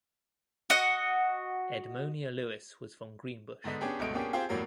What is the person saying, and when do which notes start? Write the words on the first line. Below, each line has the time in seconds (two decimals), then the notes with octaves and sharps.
Edmonia Lewis was from Greenbush.
0.70 F#4 D#5 F#5
3.64 G#2 D3 B3 D#5 B6
3.81 B3 C#4 D4 G4 G#4
3.99 G1 C#2 B2 A3 D#5 D7
4.14 A#3 B3 C#4 D4 G4 G#4
4.33 C4 F4 G4 G#4 C5
4.49 E2 A2 F#3 G3 A#3